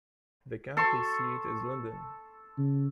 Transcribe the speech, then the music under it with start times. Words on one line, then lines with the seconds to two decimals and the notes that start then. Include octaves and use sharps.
The county seat is Linden.
0.77 A4 C6 C#6
2.58 C#3